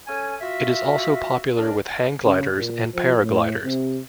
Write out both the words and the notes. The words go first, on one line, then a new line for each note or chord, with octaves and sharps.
It is also popular with hang gliders and paragliders.
C#4 A4 G#5
F4 F#4 E5
C#3 D4 A#4 D5 A5
C#3
A#2
F3
A2
C3